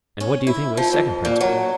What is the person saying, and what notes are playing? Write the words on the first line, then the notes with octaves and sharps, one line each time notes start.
And what do you think of a second principle?
C#4
E4
F3
F2
A#2
F#3